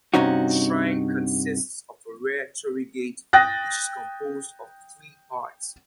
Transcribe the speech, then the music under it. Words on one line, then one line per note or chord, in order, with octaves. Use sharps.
The shrine consists of a rare tori gate which is composed of three parts.
G2 C3 C#4 D#4 F#4
G5 D#6 F#6 A6 A#6